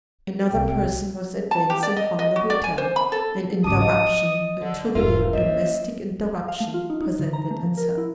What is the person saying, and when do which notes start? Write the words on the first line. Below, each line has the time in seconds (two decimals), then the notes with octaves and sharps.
Another person was advancing from the hotel; an interruption, a trivial domestic interruption, presented itself.
0.51 C2 G5
1.51 A5
1.70 G4
1.83 D5
1.96 D#5
2.19 D#5
2.36 F#4
2.50 D5
2.64 G#5
2.78 C5
2.96 B5
3.12 A4
3.64 G#1 C#3 A5 D6 D#6
3.81 F3 D#5
4.60 D3
4.95 E1 G#2 D4 F4 A#4 E5
5.33 F#2 F#3 A#3 C5 D#5 E5
6.48 F5
6.60 A3
6.74 F4
6.90 D#4
7.02 D#4
7.19 D3
7.33 A#5
7.51 A3
7.63 F3
7.77 A#4
7.98 E4